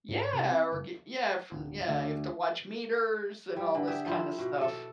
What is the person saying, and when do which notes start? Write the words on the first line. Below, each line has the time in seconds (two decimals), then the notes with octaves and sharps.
Yeah, or, g yeah, from, yeah, you have to watch meters and all this kinda stuff.
0.09 G#2
0.33 C3
0.50 C4
0.72 F#1
1.52 D1
1.88 D2
3.56 G3
3.75 D3
3.87 G4 G#4 E5
4.06 F3 E4 C5
4.38 B2
4.61 A4